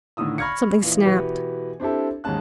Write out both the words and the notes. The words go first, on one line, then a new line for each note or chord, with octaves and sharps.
Something snapped.
A2 D3 D#3 D#6 E6
B5 C#6 F6 G#6 A#6 C#7
A#2 E3
B2 E3 G4 B4
C4 D4 E4 G4 A4
D#2 G#2 G#3 C#4 A5 F#6